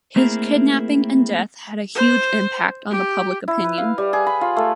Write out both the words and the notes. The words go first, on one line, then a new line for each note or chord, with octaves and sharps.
His kidnapping and death had a huge impact on the public opinion.
A3 A#3 C4 E4 G#4 A#4
C5
G4
E4
B4
F5
G3
G#4
B5
F4
A3